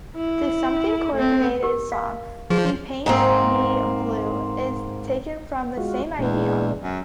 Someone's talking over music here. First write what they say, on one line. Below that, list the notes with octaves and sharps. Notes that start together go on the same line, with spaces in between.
The Something Corporate song "She Paints Me Blue" is taken from the same idea.
E4
A3 C4
G4 A#4
F5
F3 G#4
G#2 A#3 C4
G#3 F4 F#4
E2 A#2 G#3 D4
F#2